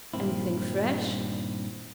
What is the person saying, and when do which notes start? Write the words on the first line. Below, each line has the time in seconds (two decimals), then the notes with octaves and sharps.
Anything fresh?'
0.14 G2 A#2 D#3 C4 E4